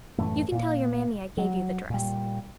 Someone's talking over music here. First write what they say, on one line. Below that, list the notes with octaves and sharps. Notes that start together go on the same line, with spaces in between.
You can tell your mammy I gave you the dress.
F#2 A2 E3 A3
A#2 A#3
F#3
A#2 G3